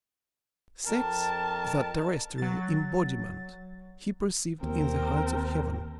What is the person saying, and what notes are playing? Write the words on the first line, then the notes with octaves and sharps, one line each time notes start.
Sex, that terrestrial embodiment, he perceived in the heights of heaven.
F2 A#4 A5
F#3 A6
D#2 C4 A#4